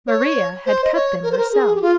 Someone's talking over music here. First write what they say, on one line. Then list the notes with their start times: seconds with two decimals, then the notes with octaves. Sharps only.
Maria had cut them herself.
0.07 C#5
0.66 C5
0.84 D#5
0.94 C#5
1.23 A#4
1.32 C5
1.38 A#4
1.52 G#4
1.75 G4
1.82 F4